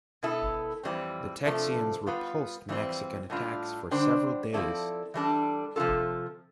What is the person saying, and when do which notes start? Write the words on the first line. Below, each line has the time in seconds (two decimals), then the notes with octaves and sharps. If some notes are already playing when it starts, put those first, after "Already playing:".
The Texians repulsed Mexican attacks for several days.
0.23 B2 B3 E4 A4
0.83 F2 E3 G3 C4
1.45 C3 F3 A3 D4 A4
2.07 G3 B3 F4 B4
2.69 F2 E3 G3 C4
3.30 A2 G3 D4 F4
3.91 D3 G3 D4 G4 C5
4.53 F3 C4 E4 A4 D5
5.14 E3 G3 D4 A4
5.76 C3 F3 B3 F4 A4